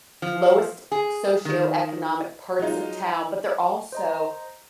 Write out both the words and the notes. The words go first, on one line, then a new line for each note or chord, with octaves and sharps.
lowest socioeconomic parts of town, but they're also
F3
G#4
D#3
F#3 G#3 D#4 F4
C5 D#5 A#5